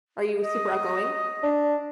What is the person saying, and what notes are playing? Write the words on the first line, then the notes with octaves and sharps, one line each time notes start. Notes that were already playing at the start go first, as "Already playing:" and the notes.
Are you super outgoing?
D#5
D4